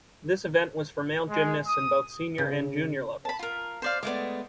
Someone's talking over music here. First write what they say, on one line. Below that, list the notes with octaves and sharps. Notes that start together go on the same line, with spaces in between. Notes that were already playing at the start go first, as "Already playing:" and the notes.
This event was for male gymnasts in both senior and junior levels.
G#3
D#6
C#3
A5 B5
F4 A#4
C5 D5 F5
G#3 A3 B3 D5 D6